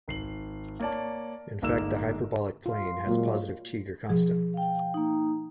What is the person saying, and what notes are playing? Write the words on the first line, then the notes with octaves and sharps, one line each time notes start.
In fact the hyperbolic plane has positive Cheeger constant.
G#1 C7 F#7
A#3 C#5 D5 A5
G1 G#2 A#3 D5 E6 E7
F4
A#2 F#3 G#3
B2 F3 G#4
F5 G5
A#3 D#4